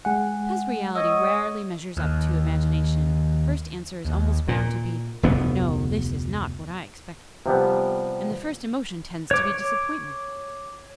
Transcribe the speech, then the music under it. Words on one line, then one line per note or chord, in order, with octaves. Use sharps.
Because reality rarely measures up to imagination, the first answer is almost bound to be, "No, this is not what I expected." And the first emotion tends to be disappointment.
G#3 F#5 G#5
C#5 D#5 E6
D#2
D#2
A#2
F1 D2 B3
C3 F3 G3 B3
C#5 D6